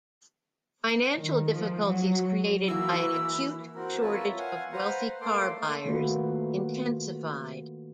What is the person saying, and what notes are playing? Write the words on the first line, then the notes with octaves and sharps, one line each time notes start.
Financial difficulties created by an acute shortage of wealthy car buyers intensified.
D#3
F3
F#3
E3 A#3 E4 F#4 E6
C4 F#4 A#4
F4 A#4 B4 C#5 E5 A5
F5 F#5 G#5
B4 C5 F5 F#5 A#5
A3 A#3 A4 C6 D6
D#3 A3 A#3 F4 F#4 B4